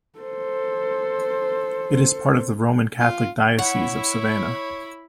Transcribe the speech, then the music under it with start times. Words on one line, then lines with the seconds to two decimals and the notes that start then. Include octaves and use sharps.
It is part of the Roman Catholic Diocese of Savannah.
0.19 A4 C5
3.00 F4
3.59 E4 C#5 F#5 B5